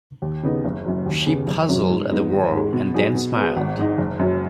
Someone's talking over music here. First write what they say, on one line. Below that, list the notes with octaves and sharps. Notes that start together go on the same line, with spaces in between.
She puzzled at the word, and then smiled.
D#2
C#3 B3 D#4
F#1
F#2 F#3
D#2
C#3 B3 G#4
F#1
F#2 F#3 C#4
G#2
G#3 B3 D#4
G#1
G#2
G#3
B2
F#3 D#4 G#4
B2
B3 G#4
G#1
G#2 G#3 D#4
F#1
F#2 F#3